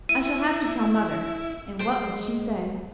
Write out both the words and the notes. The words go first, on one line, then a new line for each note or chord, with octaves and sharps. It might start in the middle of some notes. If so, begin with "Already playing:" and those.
I shall have to tell mother, and what will she say?
E4 D#7
G#3 C5 G5